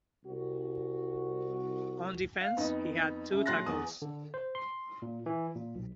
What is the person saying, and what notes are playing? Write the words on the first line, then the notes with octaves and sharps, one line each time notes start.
On defense he had two tackles.
C2 F#4
F5
F2 B3 D#4 D#5
F#2 C#3 E5
A#1 F#3 C6 F#6 A6 A#6
E2 D#6
D3
C5
C6
A#2
E3
A#2
B1